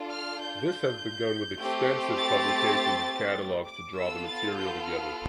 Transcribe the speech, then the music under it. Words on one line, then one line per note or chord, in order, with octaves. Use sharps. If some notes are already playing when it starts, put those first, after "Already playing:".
This has begun with extensive publications of catalogues to draw the material together.
Already playing: D4 F4 A4
F6
G6
A3 C4 G4
A6
D6
B3 F4 A4 E6
A6
G6
F6